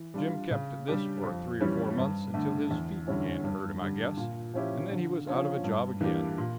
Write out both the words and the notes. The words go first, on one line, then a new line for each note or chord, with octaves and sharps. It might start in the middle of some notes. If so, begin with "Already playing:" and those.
Jim kept at this for three or four months, until his feet began to hurt him, I guess, and then he was out of a job again.
Already playing: E3
G3 D4 F4
C#3
G3 D4 G4
F2
E3 G3 C#4
G2
D3 A3
E2
D3 G3 C#4 E4
G2
D3 G3
A#2
F3 C#4 E4 G4
D3
F3 C#4 F4
G2
E3 A#3 D4 G4
A#2